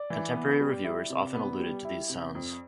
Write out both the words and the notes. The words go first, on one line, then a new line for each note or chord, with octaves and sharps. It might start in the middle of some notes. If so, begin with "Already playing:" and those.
Contemporary reviewers often alluded to these sounds.
Already playing: D5
E3
B3
G3
E4
C3
B3
G3
E4
C3
F2